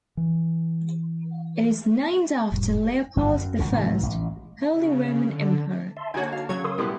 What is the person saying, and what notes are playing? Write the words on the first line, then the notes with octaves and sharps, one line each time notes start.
It is named after Leopold the First, Holy Roman Emperor.
E3
F1 A2 G3
G1 G2
F#2
G#1 D2 C#3
G#2 C3 E3
A1
C#3
D3
E5 A5 C6
D3 A#3 D#4 F#4 C#5 G#5 A5 G#6
F5 A5
C#3 F#3 C#5 G#6
C#3 A#4 C6 D#6 E6
A1 B2 G3 B3 E4 G4 B4 C5